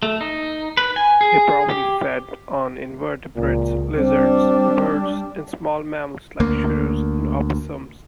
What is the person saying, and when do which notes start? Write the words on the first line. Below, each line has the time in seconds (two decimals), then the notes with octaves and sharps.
They probably fed on invertebrates, lizards, birds, and smaller mammals like shrews and opossums.
0.03 A3
0.21 D#4
0.77 B4
0.96 G#5
1.21 G#4
1.70 G4
3.36 C#2 A#2
3.98 G3 C4 D4
6.40 D2 A#3